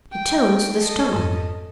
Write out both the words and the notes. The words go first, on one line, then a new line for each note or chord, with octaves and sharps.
It tones the stomach.
G5
A4 D#5
F2 G#2